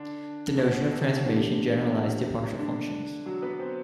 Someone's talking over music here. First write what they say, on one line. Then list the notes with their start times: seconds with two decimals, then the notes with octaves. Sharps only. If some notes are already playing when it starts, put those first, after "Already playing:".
The notion of transformation generalized to partial functions.
Already playing: D3 D4
0.58 B2 B3
0.92 C3 C4
1.25 D3 E3 A3 D4 E4 G4
1.92 C3 C4
2.59 D3 D4
3.26 F#3 F#4
3.42 B3 B4
3.59 C4 C5